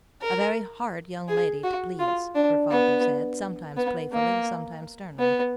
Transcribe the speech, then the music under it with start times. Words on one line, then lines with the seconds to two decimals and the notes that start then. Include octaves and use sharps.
A very hard young lady to please, her father said, sometimes playfully, sometimes sternly.
0.22 A#4
1.29 G#4
1.64 F#4
1.99 F4
2.35 D4
2.70 B3
3.77 B3
4.12 A#3
5.19 B3